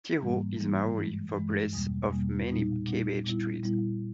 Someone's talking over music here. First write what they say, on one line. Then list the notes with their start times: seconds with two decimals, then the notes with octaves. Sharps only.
Tirau is Maori for place of many cabbage trees.
0.22 G#2 E3 G3 A#3
0.60 G#2 E3 G3 A#3
0.97 G2 E3 G#3
1.35 G2 E3 G#3
1.73 E2 B2 G3 A#3
2.11 E2 B2 G3 A#3
2.48 A#2 G3 B3 D#4
2.87 A#2 G3 B3 D#4
3.25 A#2 G3 B3 E4
3.63 A#2 G3 B3 E4